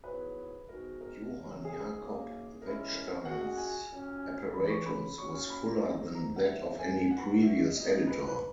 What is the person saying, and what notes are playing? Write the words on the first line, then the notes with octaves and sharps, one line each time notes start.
Johann Jakob Wettstein's apparatus was fuller than that of any previous editor.
G#2 F#3 B3 E4 G#4 B4
G#2 D#3 G#3 B3 F#4 A#4
A#4
F#2 C#3 E3
G#4
F#2 D#3 A#3
E2 C#3 G#3 C#4 E4 A#4
A#4
A#2 G#3 C#4 F#4 F#5
F#5
G#5
A#2 F#3 C#4
C#2 C#3 E3 B5
C#6
B5
A#2 F#3 A#3 C#4 C#6
B5
A#5
G#2 D#3 F#3 A#3 D#4
A#5
F#5
C#2 C#3 E3 A#3 D#4 E5
G#5
E2 B2 G#3 B3 F#4 F#5
E5
D#5
A#2 G#3 B3 D#4 F#4 D#5
B4
B4